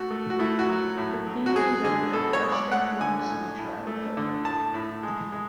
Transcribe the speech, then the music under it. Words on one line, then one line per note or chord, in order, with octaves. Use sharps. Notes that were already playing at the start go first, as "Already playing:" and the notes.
Papini lived a rustic, lonesome childhood.
Already playing: A3 F#4
A3
F#4
A3 E4
F#4
F#3
A2
F#3
F#4
G#3 G#4
D3 G#4
B2 A4
C#5
G#3
D5
A3 F#5
D3 G#5
A2
A2
A3
D3
A2 A5
A2
G#3
G#3